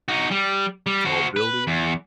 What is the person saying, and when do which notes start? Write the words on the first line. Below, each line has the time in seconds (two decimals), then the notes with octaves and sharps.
Tall building.
0.08 D#4 F#4
0.31 G3
0.87 G3
1.05 F#4 C5
1.36 B4
1.67 E2